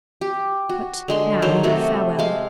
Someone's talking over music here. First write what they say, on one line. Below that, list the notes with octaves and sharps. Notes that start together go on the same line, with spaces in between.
But now, farewell.
G4
F#4
D3 G#3 C6
D#3 F#3 C5 C#5
C3 A3 F#4 A4
G#3 F5